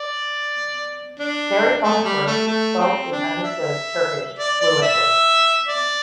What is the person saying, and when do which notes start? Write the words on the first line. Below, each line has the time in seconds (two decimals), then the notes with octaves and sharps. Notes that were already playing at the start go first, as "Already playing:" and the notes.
Carrie Farnsworth spoke and understood Turkish fluently.
Already playing: D5
1.20 D4
1.83 A3
2.05 G3
2.27 A3
2.47 A3
2.80 C4
3.12 D4
3.44 E5
4.39 D5
4.61 D5
4.82 E5
5.67 D5